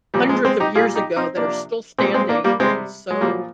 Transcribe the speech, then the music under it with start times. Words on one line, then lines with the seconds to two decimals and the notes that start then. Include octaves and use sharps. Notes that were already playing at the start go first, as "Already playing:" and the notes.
hundreds of years ago that are still standing, and so,
0.14 A#2 F3 G3
0.29 G#3
0.45 G#3 C4
0.60 D#4 G4
0.75 A#2 G3 F4 G#4
0.96 D#4 G4
1.16 C4 D#4
1.37 C3 F3 A#3 D4
1.98 A#2 G3 G#3 C4
2.14 G#3 C4
2.29 A#3 D4
2.44 G3 A#3
2.60 C3 G3 G#3 C4
3.11 G#3
3.21 A#2 F3 G3 A#3